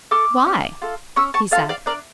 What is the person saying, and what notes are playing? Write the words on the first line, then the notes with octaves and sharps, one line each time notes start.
'Why,' he said.
A4 D6 F6
C#4
F4 A4
C#4 C#6 E6
A5 C#6
F4 A4 F5 A5
D5 F5
D4 A#4 D5